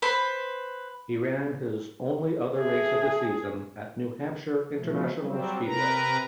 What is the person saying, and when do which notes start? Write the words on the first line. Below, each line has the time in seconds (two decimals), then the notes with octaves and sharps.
He ran his only other race of the season at New Hampshire International Speedway.
0.02 B4 C5 B5
2.59 G#4 A4 E5
4.77 B2 F3 A3
5.18 F#3 G3 C4
5.65 C3 A#4 B4 A#5